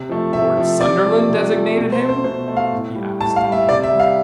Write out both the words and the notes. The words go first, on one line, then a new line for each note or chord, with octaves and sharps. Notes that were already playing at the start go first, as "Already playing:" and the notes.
"Lord Sunderland designated him?" he asked, amazed.
Already playing: C3
F3 A3
C3 E5
F3 A3
C3 D5
F3 A3
C3
F3 A3
B2
C5
A3
C5
B2 C5
A3
F5
A2
G3
A2 A5
F5
G3
E5
C3 D5
E5
G3
F5